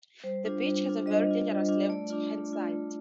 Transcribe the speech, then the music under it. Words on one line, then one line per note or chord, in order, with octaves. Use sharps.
The beach has a very dangerous left hand side.
G3 C5
D4 F4
G3
D4 F4
G3 D#5
D4 F4
G3
D4 F4
A3 D5
D4 F4
A3
D4 F4
A3